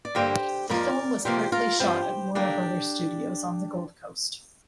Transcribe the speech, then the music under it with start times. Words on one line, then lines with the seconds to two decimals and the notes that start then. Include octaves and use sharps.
The film was partly shot at Warner Brothers studios on the Gold Coast.
0.05 D5
0.15 G2 D3 A#3 G4 C5
0.69 F2 F3 A#3 A#4 D5
1.25 C3 F3 A#3 G4 C5
1.52 F4 A#4
1.80 G2 F3 C4 G4 C5
2.35 D3 A#3 D4 G4